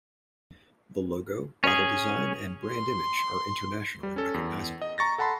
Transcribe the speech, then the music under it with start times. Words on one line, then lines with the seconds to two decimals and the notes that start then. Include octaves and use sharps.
The logo, bottle design, and brand image are internationally recognizable.
1.64 C#4 G#4
2.67 C6
4.03 G3
4.16 C#4 A4
4.34 E2
4.82 D#5
4.98 A#5 C#6 A6 A#6
5.18 A4 F#5 A5 B5 C6